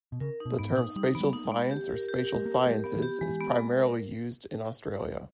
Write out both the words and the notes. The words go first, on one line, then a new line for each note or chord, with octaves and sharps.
The term spatial science or spatial sciences is primarily used in Australia.
B2
C#3 A#4
D#4
B2
G#2 B3
A#2
D#4
G3 D#4
E3 B3
G3
A#3 D#4
G#3
B3
G4
A#4
G4
A#4
G#3
A#3 A#4
A#3 G4
G#3
B3
E3
G4
E3 G#3
B3
G#3
A#4